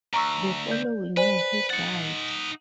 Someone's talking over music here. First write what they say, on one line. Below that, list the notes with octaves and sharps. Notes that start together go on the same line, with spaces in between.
The following year he died.
D2 A#5 C#6 E6
D5 G6
B4 C5 D5 G#5
D#4 F#5 A6 C#7